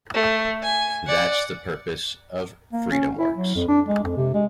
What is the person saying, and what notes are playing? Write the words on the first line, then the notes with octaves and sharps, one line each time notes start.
That's the purpose of FreedomWorks.
A3
G#5
D5 F#5
A#3
C#4
E4
F#3
F2
D4
G#3
F2
C3
G#3